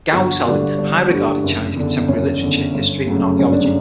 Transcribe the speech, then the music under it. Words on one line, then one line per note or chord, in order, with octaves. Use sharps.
Guo was held in high regard in Chinese contemporary literature, history and archaeology.
G1 F#4
G2 D3 G3 D4
G1 D4
G2 D3 G3
F#1
E2 D3
F#1 C#4
E2 D3
G1
F#2 C#3 F#3 A3
G1 C#4
D4
C#4